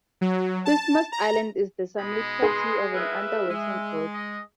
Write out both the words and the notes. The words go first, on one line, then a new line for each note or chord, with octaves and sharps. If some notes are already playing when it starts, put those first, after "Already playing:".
Christmas Island is the summit plateau of an underwater volcano.
F#3
A5
A#5
B2 G#3 D#4 B5
G#4 B4 C6 D#6
F4 A#4 B4 E5
G#3
D#5